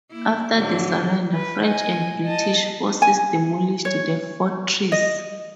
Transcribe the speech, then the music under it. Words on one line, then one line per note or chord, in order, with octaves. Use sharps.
After the surrender, French and British forces demolished the fortress.
A#3 E4
G#2 D3 F#3
B4
D#5 G#5
D#5 A5
G#5
C#5
D#5